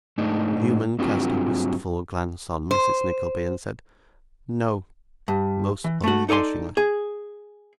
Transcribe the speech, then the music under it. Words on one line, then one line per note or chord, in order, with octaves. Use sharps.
Newman cast a wistful glance on Mrs Nickleby and said 'No,' most unblushingly.
G#2 A3 D4 D#4
G2 F#3 C4 D4 F4 G4
C5
G2
E3
A3 F#4
D#4 A4 D5 G#5 C6
G#4